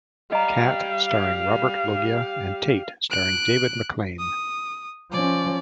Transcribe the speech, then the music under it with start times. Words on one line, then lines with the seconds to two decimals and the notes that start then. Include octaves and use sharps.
Cat, starring Robert Loggia, and Tate starring David McLean.
0.32 G4 D5 D#5 F5 A#5
3.10 F#6 D7
4.19 D#6
5.12 F3 C#4 D5